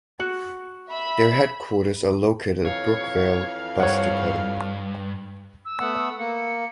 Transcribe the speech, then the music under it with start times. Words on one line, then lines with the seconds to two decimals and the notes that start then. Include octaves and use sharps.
Their headquarters are located at Brookvale bus depot.
0.20 F#4
0.90 E5 B5
2.65 F2 E3 C#5 F5
3.80 G2 C#5 F#5
5.65 E6
5.80 A3 B3 F#5
6.19 A#3 C#7